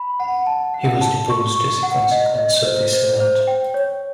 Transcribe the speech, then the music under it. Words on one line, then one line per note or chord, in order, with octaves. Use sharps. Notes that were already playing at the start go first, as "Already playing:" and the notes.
He was deposed as a consequence of this event.
Already playing: B5
F#5
A5
F#5
A5
C#6
C#6
F#5
D#5
D#5
C5
C5
C5
G5
C#5